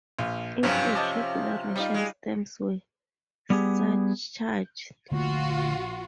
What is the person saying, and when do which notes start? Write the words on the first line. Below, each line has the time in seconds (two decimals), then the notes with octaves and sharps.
Instead, regular Russian stamps were surcharged.
0.19 A#1 F4
0.63 G#1 G2 C3 F3 F#3 C#4
0.95 D#5 A5 D6
1.76 G3 D#4 F4
1.94 G#3
3.50 G3 B3 G4 G#4
5.11 A#1 D3 A3 A#3 F4 F#4